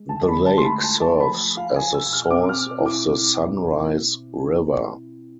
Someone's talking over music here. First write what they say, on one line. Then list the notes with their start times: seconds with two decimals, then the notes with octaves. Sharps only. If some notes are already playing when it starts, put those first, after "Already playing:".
The lake serves as the source of the Sunrise River.
Already playing: G#3
0.09 D3 A5
0.28 B5
0.34 D3
0.46 A5
0.58 A3 C6
0.65 B5
0.83 F4 A5
1.01 A5
1.07 F3
1.20 B5
1.32 F3
1.57 F4 F5
1.76 G#5
1.82 F4
1.94 E6
2.06 B2
2.13 F6
2.31 C4 D6
2.49 F6
2.56 C4
2.80 E4
2.86 D6